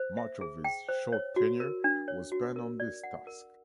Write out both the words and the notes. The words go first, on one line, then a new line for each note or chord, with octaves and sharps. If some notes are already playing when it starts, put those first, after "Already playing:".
Much of his short tenure was spent on this task.
Already playing: C5
E5
G#4
G5
C5
C#5
F#4
A#4
D4
C#5
F#4
A#4
D5
F#5
A#4